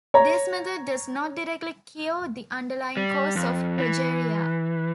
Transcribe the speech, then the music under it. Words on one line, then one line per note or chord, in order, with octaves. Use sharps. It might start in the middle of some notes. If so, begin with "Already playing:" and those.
This method does not directly "cure" the underlying cause of progeria.
C#5 A#5
G3
F2
E3